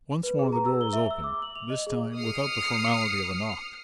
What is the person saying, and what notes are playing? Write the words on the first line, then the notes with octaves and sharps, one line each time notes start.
Once more the door was opened--this time without the formality of a knock.
B4
G#4
A#5
E6
G7
E5
E6
D6
F#7
F7
D#5
G#4
D#6 F6 C7 C#7